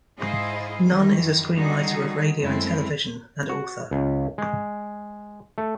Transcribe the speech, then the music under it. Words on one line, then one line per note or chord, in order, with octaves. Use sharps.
Nunn is a screenwriter of radio and television and author.
G#2 E4 G#4 C5 D#5 F5
F#2 D#3 E3
D3 D#3 G3 D#4 F#4 G#4
F#2 G#3 A3 C4 E4
F#4
C#2
G#3
A3